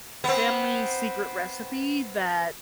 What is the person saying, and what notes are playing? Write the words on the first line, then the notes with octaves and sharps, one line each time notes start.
family secret recipe that
B3 C4